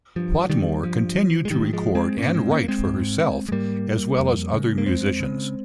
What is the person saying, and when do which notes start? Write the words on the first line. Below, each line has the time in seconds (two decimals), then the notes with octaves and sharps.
Whatmore continued to record and write for herself as well as other musicians.
0.16 G2 F3
0.50 D#3 G3
0.83 G2 F3
1.45 G#3
1.50 G#2 D#3 G3
1.73 F3 G#3
1.95 G#3 C4
2.17 G#2 A#3 C#4
2.34 G#3 C4
2.51 A#3 C#4
2.63 A#3
2.68 G#3 C4
2.85 G#2
3.49 G#3
3.51 G#2 G3 A#3
4.20 F2
4.53 C#3
4.78 A#3
4.86 F2 G#3 C4
5.20 C#3